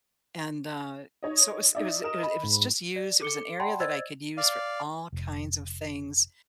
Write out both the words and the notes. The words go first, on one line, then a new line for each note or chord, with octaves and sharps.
and, uh, so, it was it was it was it was just used, it was an area that I could use for all kinds of things,
D#4 C#5 D#5
D#4 D5 E5
A#4 D#5 E7
B5
G#2
D5
A4 D6 C#7 G7
D5 F#5 G5 A5 B5 C6
C5 D5 D#5 E6 G#6 A6
D5 F5
F1